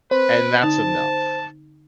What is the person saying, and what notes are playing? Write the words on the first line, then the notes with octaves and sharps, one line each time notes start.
and that's enough.
C4 B4 C5
D3 D#4 A5